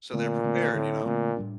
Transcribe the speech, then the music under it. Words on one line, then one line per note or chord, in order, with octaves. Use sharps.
so they're prepared, you know?
A#2 D3 A3 C4
D3 A3 C4
A2 D3 A3 C4
A#2 D3 A3 C4
A2 G3 D4